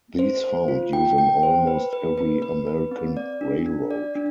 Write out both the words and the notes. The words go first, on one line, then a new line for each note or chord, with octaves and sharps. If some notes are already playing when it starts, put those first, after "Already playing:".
These found use on almost every American railroad.
C5
C5
F4
G5
G5
C5
B4
B4
B4
B4
B4
C4
D5
D4
D4
D5
D4